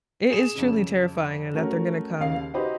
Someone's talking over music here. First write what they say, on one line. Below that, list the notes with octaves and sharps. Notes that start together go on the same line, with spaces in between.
It is truly terrifying that they're gonna come
G#4 E7
F2 C#3
A3 C#4 F#4 A#4
D#2 C#3 F5 C7
D#4 F#4 G4 B4 C5 D#5